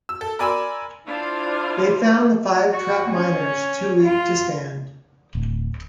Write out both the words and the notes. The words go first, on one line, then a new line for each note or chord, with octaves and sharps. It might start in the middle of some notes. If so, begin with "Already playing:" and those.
They found the five trapped miners too weak to stand.
E6
A4
A#4 D5 G#5 B5 C6 E6
D4 E4 F4 C5 F5
F#4
C#4
F4
D1